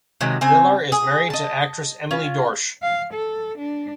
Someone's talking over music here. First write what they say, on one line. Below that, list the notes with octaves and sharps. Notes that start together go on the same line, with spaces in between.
Villar is married to actress Emily Dorsch.
C3 D#3 F#3 G#3
C#3 C4 G#5
G#4
D#5 A5
C#4 F4
F5
A4
D4